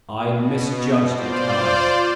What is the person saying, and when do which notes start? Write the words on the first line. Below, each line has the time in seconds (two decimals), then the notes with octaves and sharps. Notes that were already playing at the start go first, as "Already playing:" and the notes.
I misjudged it, however.
0.17 B2
1.07 F4 C5 D5